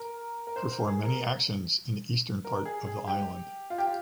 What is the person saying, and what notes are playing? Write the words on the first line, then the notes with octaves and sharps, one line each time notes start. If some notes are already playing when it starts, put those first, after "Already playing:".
Perform many actions in the eastern part of the island.
Already playing: A#4
A#4
C5
A#4
G#4
A#4
A#4
G#4
G#4
G4
F4
G4
F4